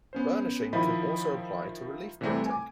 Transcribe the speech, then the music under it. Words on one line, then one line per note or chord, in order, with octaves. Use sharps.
Burnishing can also apply to relief printing.
B3 C#4 C5
D#3 F3 E4 D#5 B5
C3 E3 G3 A3 C4
G#5 D6